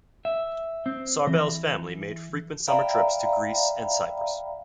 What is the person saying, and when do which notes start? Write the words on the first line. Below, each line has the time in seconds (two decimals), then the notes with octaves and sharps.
Sarbel's family made frequent summer trips to Greece and Cyprus.
0.25 E5
0.86 C4
1.27 E3
2.67 D5 E5 F5 G5 A#5 B5